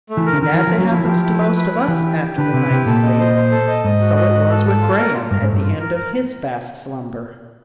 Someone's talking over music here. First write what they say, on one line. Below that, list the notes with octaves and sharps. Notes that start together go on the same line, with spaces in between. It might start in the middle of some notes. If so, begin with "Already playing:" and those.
And as it happens to most of us after the night's sleep, so it was with Graham at the end of his vast slumber.
A3
E3
A#4
D3
D#3 A#4
E3
A#4
F3
F#3 C#4
F3 E4
E3
F3 G4
E4
B4
B4
E4
E3 G4
G4
G4
D3 B4
C3 E4
C3 G4
A#2 A4
D#5
C5
C5
A4
D#5
G#2 D#5
F#4
D#5
F#4
A4
A4
F4
A#4
F4
G2 A#4
G#2
A3
G2
F4
A#4
A#4